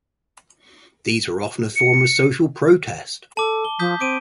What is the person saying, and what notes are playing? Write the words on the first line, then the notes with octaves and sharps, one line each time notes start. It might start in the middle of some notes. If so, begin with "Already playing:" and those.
These were often a form of social protest.
C#7
A4 A5 D6
G7
F3 D#6 G6 B6
C4 D6 D7 D#7